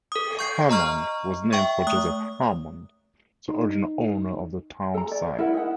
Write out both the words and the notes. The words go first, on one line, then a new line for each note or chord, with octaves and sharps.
Hammond was named for Joseph Hammond, the original owner of the town site.
A4 D#6
C#6 G6 C7
D#5 A#5 C#6 F6
E5 G5 C#6
A3 D#6
D#4
A4 A#5
D5
E4 A#4 F#5
D#4 F#5